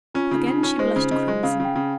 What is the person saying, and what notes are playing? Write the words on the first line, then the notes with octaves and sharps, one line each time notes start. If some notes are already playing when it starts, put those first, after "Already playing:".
Again she blushed crimson.
C#4 F4
C#3 D#4 F4
C#3
D#4
C#4
G#3 C5
C#3
C#3 D#5
G#3
C#3 F5
C#3 G5
C#3